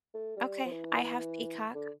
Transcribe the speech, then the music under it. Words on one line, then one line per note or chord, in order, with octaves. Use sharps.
Okay, I have Peacock.
A3
G3
F3
E3
D3